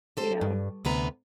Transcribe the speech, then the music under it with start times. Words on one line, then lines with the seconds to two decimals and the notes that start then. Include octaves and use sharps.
you know?
0.17 G4 A4 C5
0.41 G2
0.85 D2 C3 B3 B4 A#5